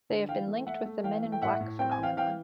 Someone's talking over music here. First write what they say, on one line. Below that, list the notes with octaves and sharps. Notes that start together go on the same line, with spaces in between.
They have been linked with the Men in Black phenomenon.
D3
E3 F5 G5
A3
A3 E5 F#5
A3
E3 F5 G5
A3
G5
A2 E5 F#5
A2
C4 G5
G#5
E3 F5 G5
E3 F5 G5